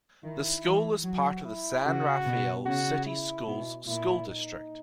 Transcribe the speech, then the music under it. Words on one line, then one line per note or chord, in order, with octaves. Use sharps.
The school is part of the San Rafael City Schools school district.
D#3 E4
E3
F#3 F#4
E4
C#3 F#4
B2
C#3 F#4
E4
B2
A#2 E4
D#4